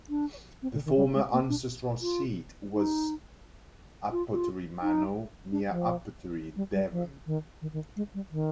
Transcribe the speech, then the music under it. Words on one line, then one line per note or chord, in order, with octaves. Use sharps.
The former ancestral seat was Upottery Manor, near Upottery, Devon.
D4
C4
D3
D#3
G3
G#3
A#3
D4
F4
D#4
F4
F4
D#4
D4
F3
G3
G3
F3
D#3
D#3
D#3
G#3
G3
D#3